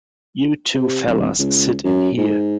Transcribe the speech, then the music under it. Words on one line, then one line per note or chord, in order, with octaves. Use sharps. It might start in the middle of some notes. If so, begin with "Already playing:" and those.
You two fellas sit in here.
C3
D1
C#2
F#2
G#2